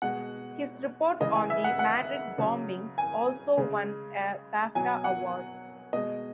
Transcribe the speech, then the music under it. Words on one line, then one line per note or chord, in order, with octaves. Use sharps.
His report on the Madrid bombings also won a Bafta award.
B2 G#3 F#5
C#3 E3 G#3 D#5
G#5
E5
F#5
F#5
C#3 F#3
G#5
C#3 G#3
B2 F#3 G#5
F#5
B2 G#3 D#5